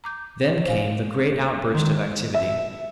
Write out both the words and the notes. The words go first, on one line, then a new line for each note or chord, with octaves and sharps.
Then came the great outburst of activity.
A#5 D6 G6
C5 F5 G#5
A#3
D#3 G#3 C6
E5